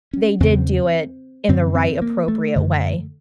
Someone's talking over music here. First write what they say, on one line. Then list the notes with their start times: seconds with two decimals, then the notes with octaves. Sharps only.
they did do it in the right, appropriate way.
0.13 C#4
0.40 E2 C#3 C4
1.49 F#2 D3 C4
1.75 C4
2.02 A#3
2.28 A3
2.56 F#2 D3